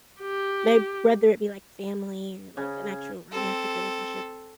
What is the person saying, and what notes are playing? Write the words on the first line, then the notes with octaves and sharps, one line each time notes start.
may whether it be, like, family or, like, an actual romantic relationship,
G4
C#3
C4 A4